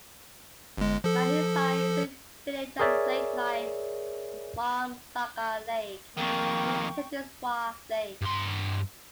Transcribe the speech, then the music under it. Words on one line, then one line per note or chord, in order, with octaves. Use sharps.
Mahisa is a village of lake like Marmsagar Lake, Utkantheswar Lake.
G1 G#3
F3 A4
G#4 A#4 C#5 D5 E5
F2 D#3 A#3 G5 C#6
G2 C6